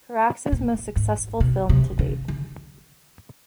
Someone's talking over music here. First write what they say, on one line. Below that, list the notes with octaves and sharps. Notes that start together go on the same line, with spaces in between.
Carax's most successful film to date.
A#2
G#2
B2
C3
C#3
D3